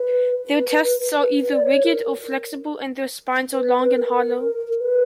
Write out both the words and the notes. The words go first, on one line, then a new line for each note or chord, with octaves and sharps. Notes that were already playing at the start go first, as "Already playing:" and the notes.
Their tests are either rigid or flexible and their spines are long and hollow.
Already playing: B4
B4
B4
B4
B4
B4
D5
C#5
A#4
B4
B4
A#4
B4